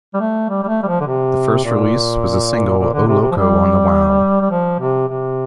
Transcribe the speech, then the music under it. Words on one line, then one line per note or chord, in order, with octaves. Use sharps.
Their first release was the single "O'Locco" on the Wau!
G3
A3
G3
G3
A3
G3
F3
D3
C3
A#2
A#2
D3
C3
C3
F3
G3
G3
F3
C3
C3